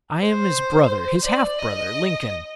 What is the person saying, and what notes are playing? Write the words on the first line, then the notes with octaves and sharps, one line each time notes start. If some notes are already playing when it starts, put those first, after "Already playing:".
I am his brother--his half-brother, Lincoln.
C5
D5
D#5